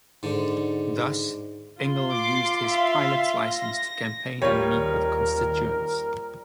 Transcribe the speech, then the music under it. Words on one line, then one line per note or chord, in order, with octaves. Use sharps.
Thus, Engle used his pilot's license to campaign and meet with constituents.
G#2 D3
F4 C6
D6 C7
E5 F5
A#6
D#2 F3 G3 A#4 C#5